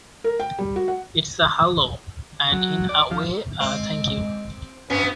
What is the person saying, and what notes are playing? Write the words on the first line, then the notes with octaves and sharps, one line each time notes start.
It's a hello, and in a way a thank you.
A#4
G5
G3
F#4
F#5
F#3
D5
F3
G#3 C4
G2 B2 B3 C#4